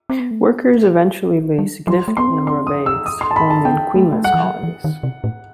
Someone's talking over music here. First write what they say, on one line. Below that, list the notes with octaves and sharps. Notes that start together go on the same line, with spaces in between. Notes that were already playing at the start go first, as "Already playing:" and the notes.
Workers eventually lay significant numbers of eggs only in queenless colonies.
C4
B3
A3
B3
G3
F#3 C6
A3
B3 C6
C4
C6
D#6
E6
D#6
C6
A5
B5
A5
B3 G5
A3
A3
G3 F#5
E3
F#3
E3
D#3
C3
A2